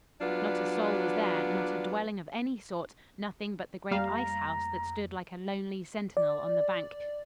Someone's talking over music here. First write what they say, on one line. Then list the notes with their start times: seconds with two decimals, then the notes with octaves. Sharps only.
Not a soul was there, not a dwelling of any sort; nothing but the great ice house that stood like a lonely sentinel on the bank.
0.21 F#3 G3 B3 D4 F4
3.91 F2 G3 A3 A#3 F5 A#5
6.17 D5